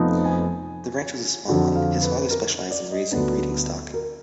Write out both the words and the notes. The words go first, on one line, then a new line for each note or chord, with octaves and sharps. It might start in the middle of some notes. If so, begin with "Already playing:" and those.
The ranch was a small one; his father specialized in raising breeding stock.
Already playing: F1 F2 F3 B3 D#4
G#5
F2 D3 F#3 F#5
F5
B4
A#4
D5
D#5
D2 D3 F#3 B3 D4 B4
A#4